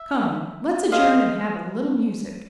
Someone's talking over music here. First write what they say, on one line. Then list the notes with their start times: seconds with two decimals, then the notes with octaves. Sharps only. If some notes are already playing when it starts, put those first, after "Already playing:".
"Come, let's adjourn and have a little music."
Already playing: E5
0.92 G#4 C5 D#5 F5